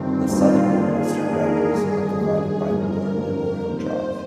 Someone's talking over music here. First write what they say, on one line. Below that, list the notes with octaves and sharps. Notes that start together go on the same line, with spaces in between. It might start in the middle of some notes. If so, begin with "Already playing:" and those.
The southern and western boundaries are provided by War Memorial Drive.
Already playing: G1 G2 D#3 C4
G1 G2 D#3 F4
D#3 A#3 D4 G#4
D#3 A#3 D4 A#4
G#1 G2 D3 G#4
G#1 G2 D3 G#4
G1 G2 F3 A#4
G1 G2 F3
F1 D#2 D#3 G3 C4 C5